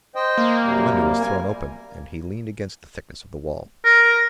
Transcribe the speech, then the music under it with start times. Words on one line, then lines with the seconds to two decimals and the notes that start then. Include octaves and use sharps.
The window was thrown open, and he leaned against the thickness of the wall.
0.15 C5 D#5 G5
0.38 A#3
0.64 F#2 C3 G3
1.20 G3 A#4 G#5
3.85 A#4